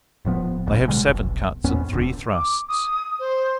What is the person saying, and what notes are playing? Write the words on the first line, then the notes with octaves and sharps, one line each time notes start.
They have seven cuts and three thrusts.
D#1 A2 F3 B3
G1 C#2 A2 C#3
B2 D3 G3 G#3
F1 B1
E2 G#2 B3 C#4
E1 C#2 A2 D3
D6
D#6
C5